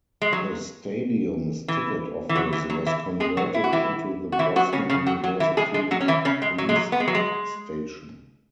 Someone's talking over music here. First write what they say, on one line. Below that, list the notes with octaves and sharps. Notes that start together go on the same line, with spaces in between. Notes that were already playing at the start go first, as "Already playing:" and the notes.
The stadium's ticket office was converted into the Boston University police station.
G#3
F#3
E3
E3
F#3
E3
F#3
E3 E4
G#3 G#4
F#3 F#4
E4
F#4
E3 E4
F#4
E3 E4
F#3 F#4
C#3 C#4
C#3 C#4
F#3 F#4
F#3 F#4
E3 E4
G#3 G#4
G#3 G#4
F#3 F#4
C#4
E3 E4
C#3 C#4
G#3
F#3
G#3
F#3
B3
G#3
F#3
G#3